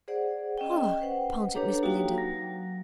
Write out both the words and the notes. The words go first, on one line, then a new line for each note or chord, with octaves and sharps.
"Ah!" panted Miss Belinda.
G#4 C5 D5 F#5
C#4 D#5 G5
B4 C5 F#5
D4 G4 A4 B4 C#5 A#5
A#3 D#4 F#4 F5 G5 A#5
F#3